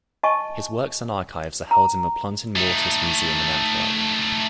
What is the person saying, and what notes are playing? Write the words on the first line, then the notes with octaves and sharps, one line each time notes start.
His works and archives are held in the Plantin-Moretus Museum in Antwerp.
D#5 G#5 A5 C#6
A#5
A3 D#4